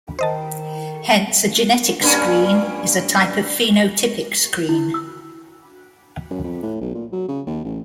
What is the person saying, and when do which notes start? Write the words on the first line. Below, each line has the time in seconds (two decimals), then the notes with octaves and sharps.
Hence a genetic screen is a type of phenotypic screen.
0.19 D#3 C5 D#5 A5
2.01 G2 A#3 C#4
4.69 E4
4.94 E6
6.30 F#2
6.44 F2
6.63 A2
6.81 B1
6.94 A#2
7.12 F#3
7.28 C#3
7.47 D#2
7.65 A1